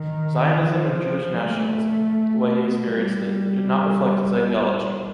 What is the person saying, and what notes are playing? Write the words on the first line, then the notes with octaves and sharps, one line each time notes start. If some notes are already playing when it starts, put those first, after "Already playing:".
Zionism and Jewish nationalism, the way he experienced it, did not reflect his ideology.
Already playing: D#3
F3
A3
G3